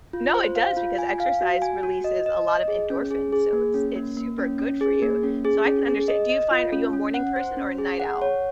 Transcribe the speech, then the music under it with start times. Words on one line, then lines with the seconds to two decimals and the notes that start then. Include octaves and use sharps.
No, it does, because exercise releases a lot of endorphins, so it's it's super good for you. So I can understan do you find are you a morning person, or a night owl?
0.13 F4
0.35 C5
0.56 F5
0.77 F4
0.98 G#5
1.20 F5
1.41 F#4
1.62 G#5
1.83 F#4
2.04 D#5
2.26 D#5
2.48 D#5
2.68 G#4
2.90 C#4
3.11 G#4
3.32 G#4
3.53 A#3
3.74 C#4
3.96 A#3
4.17 A#3
4.38 C#4
4.59 C#4
4.81 G#4
5.02 A#3
5.23 C#4
5.45 G#4
5.66 C#4
5.87 G#4
6.08 D#5
6.29 D#5
6.51 F4
6.72 C#4
6.93 C#4
7.14 F#5
7.36 C5
7.57 C#4
7.78 G#4
8.00 F#5
8.22 C#5